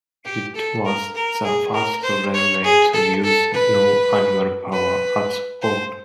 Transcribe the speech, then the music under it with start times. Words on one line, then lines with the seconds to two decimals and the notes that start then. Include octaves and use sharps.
It was the first railway to use no animal power at all.
0.25 G4
0.55 A4
0.85 A#4
1.15 A#4
1.45 G#4
1.74 A#4
2.03 C5
2.34 C#5
2.64 G#4
2.94 A4
3.23 A4
3.53 B4
4.72 B4
5.62 C5